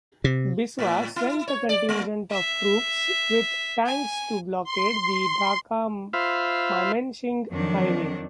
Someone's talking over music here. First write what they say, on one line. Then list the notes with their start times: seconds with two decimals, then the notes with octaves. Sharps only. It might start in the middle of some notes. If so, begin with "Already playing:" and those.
Biswas sent a contingent of troops with tanks to blockade the Dhaka-Mymenshing highway.
0.24 C3
0.79 A2
1.16 E4
1.48 C#5
1.69 D5
1.89 G#3
2.31 E5
3.86 G#5
4.64 C6
6.13 F4 C5 E5 F5 B5
7.51 F2 D#3 F#3 D4